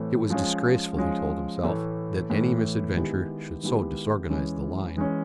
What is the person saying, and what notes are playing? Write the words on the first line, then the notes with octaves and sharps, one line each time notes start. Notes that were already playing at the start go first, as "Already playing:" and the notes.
It was disgraceful, he told himself, that any misadventure should so disorganise the line.
Already playing: A2 E3 A3 C4
F3 G#3 C#4
F3 G#3 C#4
A2 E3 A3
A2 E3 A3
D#3 G#3 B3 E4 G4
D#3 G#3 B3 E4 G4
E3 G#3 C#4
E3 G#3 C#4